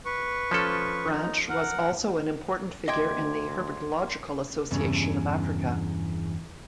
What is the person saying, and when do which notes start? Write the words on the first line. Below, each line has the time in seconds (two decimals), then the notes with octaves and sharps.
Branch was also an important figure in the Herpetological Association of Africa.
0.05 B4 C#6
0.51 F3 C#4 A4
1.10 D#4
1.49 A#4 F#5
2.88 D2 D#5 E5 G5 C6 D6 G#6
4.71 E2 G2 C#3